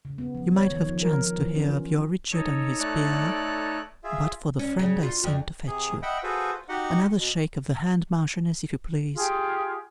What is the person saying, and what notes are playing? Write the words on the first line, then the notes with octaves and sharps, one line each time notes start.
You might have chanced to hear of your Richard on his bier, but for the friend I sent to fetch you. Another shake of the hand, Marchioness, if you please.
C#3
B3
F3
C#5
D#3
F3
A#4
F3
E3
C#4
F4
D#4 A4 C#5
A3 D5 F#6
F4 G#4 E5
C#4
C#3
F4
F2
C3 G#4
D#5 E5 F#5 G5 B5
F4 F#4 G#4 A4 B4 C5
D#4 F#4 G4 D#5 F#5
B2
F4 G4 G#4